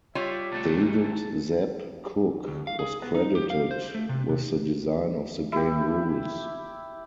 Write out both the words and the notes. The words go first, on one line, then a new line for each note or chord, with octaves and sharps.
David "Zeb" Cook was credited with the design of the game rules.
G3 F4 C#5 E5
C2 A3 A5
A5
D2
F5
G#4
B3
D#4
G4
F5
C5
A3
C3
C3
E4 G4